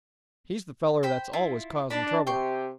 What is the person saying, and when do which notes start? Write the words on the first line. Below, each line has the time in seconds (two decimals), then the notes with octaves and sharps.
He's the feller that's always causin' trouble.
1.03 C5 G5 B5
1.33 E4 F4
1.90 D4 A5 B5
2.27 C3 G4 G5 C6 C#6